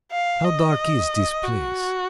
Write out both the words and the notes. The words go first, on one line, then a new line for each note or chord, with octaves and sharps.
How dark is this place!
F5
D#5
F#4